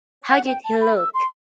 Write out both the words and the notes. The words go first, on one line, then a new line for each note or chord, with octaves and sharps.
How did he look?
F#5
G5
A5
B5
E6
C6